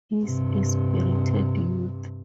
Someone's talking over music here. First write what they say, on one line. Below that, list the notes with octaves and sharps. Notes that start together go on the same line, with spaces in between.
He's a spirited youth.
G2 C3